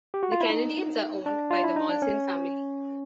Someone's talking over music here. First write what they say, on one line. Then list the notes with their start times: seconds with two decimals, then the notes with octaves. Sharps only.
The Canadiens are owned by the Molson Family.
0.14 G4
0.23 F#4
0.32 F4
0.41 E4
0.50 D#4
1.26 D4
1.51 F4
1.63 E4
1.76 D#4
1.89 D4
2.02 C#4